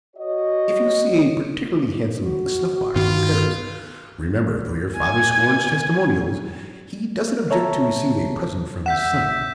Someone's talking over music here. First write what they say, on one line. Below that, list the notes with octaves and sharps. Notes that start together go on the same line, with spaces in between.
If you see a particularly handsome snuff-box in Paris, remember--though your father scorns Testimonials--he doesn't object to receive a present from his son.
F#4 C#5 D#5
F#4
G2 D#3 B3 F4
G#5 G#6
A4 C#5 E5 A5 A#5
E5 F#5 G6 B6 E7